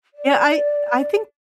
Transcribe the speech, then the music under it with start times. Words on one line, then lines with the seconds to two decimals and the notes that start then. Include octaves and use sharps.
Yeah, I I think
0.15 D5